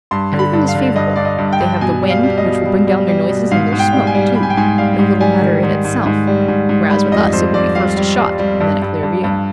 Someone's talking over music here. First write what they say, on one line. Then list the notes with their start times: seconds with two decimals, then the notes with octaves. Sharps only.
Everything is favorable; they have the wind, which will bring down their noises and their smoke, too, no little matter in itself; whereas, with us it will be first a shot, and then a clear view.
0.11 G2 C6
0.32 D3
0.39 B5
0.53 G2
0.68 F5
0.75 D3
0.96 G2 D#5
1.16 G2 D5
1.25 D#5
1.38 G2
1.53 G5
1.60 G2
1.81 B2 G#5
2.02 G3
2.10 F5
2.23 G3
2.38 D#5
2.45 B2
2.66 G3
2.87 G3
3.08 G3
3.30 B2
3.51 G#2 F5
3.72 G#2
3.79 G5
3.93 G3
4.07 G#5
4.15 G3
4.35 G3 B5
4.43 G#5
4.50 G5
4.57 G#2 G#5
4.78 G3 F5
4.99 G#2
5.20 G3 G#5
5.42 D#3
5.63 G#2
5.84 G#2
6.05 G#2
6.27 G3
6.48 G#2
6.69 G#2
6.90 G3 B5
7.11 F2 D#5
7.32 F2 C5
7.54 F2 D5
7.75 G3 F5
7.96 G3
8.18 G3
8.39 G3
8.60 G2
8.82 G2
9.03 G2
9.24 G2